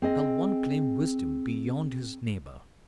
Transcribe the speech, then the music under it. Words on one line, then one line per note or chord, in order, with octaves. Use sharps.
Shall one claim wisdom beyond his neighbor?
C4 G#4 D#5